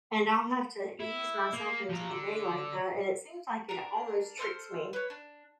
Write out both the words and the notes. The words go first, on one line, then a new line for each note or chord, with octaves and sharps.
and I'll have to ease myself into the day like that, and it seems like it almost tricks me
E4
A#3
F3 A#5
D3
D4 A#4
A4 C5 C6 F6
B4 C#5
D4